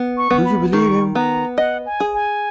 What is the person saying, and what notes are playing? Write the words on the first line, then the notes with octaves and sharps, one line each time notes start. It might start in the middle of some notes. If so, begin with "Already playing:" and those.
Do you believe him?
Already playing: B3
C#6
B3
B5
D#3 C#6
B3 A#5
D#5 F#5
G#5
G#4
G#5